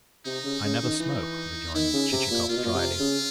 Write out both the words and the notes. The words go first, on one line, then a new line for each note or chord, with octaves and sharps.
"I never smoke," rejoined Chichikov drily.
C3 D#4
C#3
C#3
D#3
E3 D#4
D#3 E4
C#3
C3
A#2
A#2 F4
B2
A#2
C3
C#3